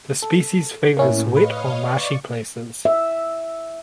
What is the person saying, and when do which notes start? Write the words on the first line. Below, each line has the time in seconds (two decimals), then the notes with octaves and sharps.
The species favours wet or marshy places.
0.22 A4
0.97 A2 A#3 C#4 E4
1.37 B4 C#5 D#5 F5
1.78 D5 C#6
2.85 E5